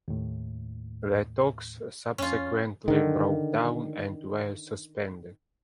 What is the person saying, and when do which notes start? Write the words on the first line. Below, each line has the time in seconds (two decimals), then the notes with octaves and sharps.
The talks subsequently broke down and were suspended.
0.08 D#2 A2
2.18 F2 C#4 F4
2.88 D3 D#3